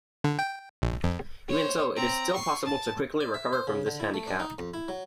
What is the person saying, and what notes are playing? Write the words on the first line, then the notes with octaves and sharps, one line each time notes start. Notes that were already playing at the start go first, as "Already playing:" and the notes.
Even so, it is still possible to quickly recover from this handicap.
D3
G5
A#1
F2
C5 C#5
C4 A#5
C#6 C7
A5
D5
E5
C5
C#3
D3
E4
A3
D4
D#4
F2
E4
F#3